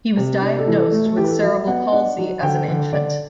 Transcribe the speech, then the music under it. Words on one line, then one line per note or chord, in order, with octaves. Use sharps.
He was diagnosed with cerebral palsy as an infant.
C3
D4
A4
E3
A4
A3
A4
E3 G4
B4
A4
F#3 E5
B3 F#5
D4 F#5
F#3
D3 G5
D3
D3 D5